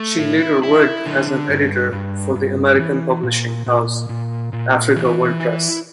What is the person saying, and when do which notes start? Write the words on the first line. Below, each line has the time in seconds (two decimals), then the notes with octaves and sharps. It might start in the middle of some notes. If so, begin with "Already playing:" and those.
She later worked as an editor for the American publishing house Africa World Press.
Already playing: A3
0.19 E4
0.63 E4
1.06 D3
1.49 G2
1.92 G2
2.36 G2
2.79 E3
3.23 A#2
3.67 A#2
4.09 A#2
4.53 A#2
4.97 E3
5.40 E4